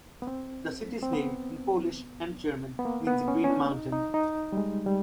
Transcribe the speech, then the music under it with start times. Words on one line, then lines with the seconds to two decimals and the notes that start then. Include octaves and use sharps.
The city's name, in Polish, and German, means "green mountain".
0.22 B3
0.27 C4
1.03 C4
1.13 B3
2.79 B3
2.85 A#3
3.07 B3
3.28 C#4
3.44 C#4
3.50 D4
3.71 D#4
3.92 D#4
4.14 D#4
4.52 G3
4.57 G#3
4.86 G3